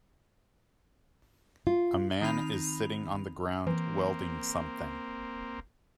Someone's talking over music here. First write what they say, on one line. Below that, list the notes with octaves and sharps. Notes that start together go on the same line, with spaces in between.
A man is sitting on the ground welding something.
F4
D#3 C4 D#4 B5 F7
E3 A#3 C4